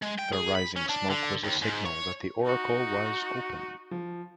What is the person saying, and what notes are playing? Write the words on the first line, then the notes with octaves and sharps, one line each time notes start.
The rising smoke was a signal that the oracle was open.
G#3
G5
G#4
B5
C#4
D4
D3
D#2
G#2
C#5
D#4 F#4
F3